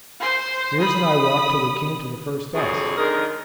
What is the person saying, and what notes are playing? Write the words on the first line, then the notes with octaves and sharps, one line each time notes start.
Meares and I walked till we came to the first ice.
C5 C6
B5 D#6
F2 D3 F#3 G#4
D3 D#3 G#3 D4 G#4 A#4